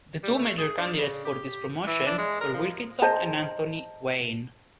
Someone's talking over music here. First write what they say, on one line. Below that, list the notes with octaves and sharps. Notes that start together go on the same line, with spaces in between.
The two major candidates for this promotion were Wilkinson and Anthony Wayne.
G3
A3
G#4
D4
C#3
G4
E3
D4
G#3
A#4
F3
C5 D#5 A5 A#5